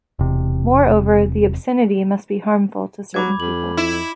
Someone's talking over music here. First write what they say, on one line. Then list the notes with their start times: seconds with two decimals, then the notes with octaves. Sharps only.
Moreover, the obscenity must be harmful to certain people.
0.19 E1 C3
3.14 F#3 B5 D6 G#6
3.40 F2 F#7
3.77 E4